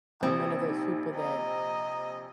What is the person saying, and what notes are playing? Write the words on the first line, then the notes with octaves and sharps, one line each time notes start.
I'm one of those people that
A#1 C3 C4 D#6
D#4
D#5 A#5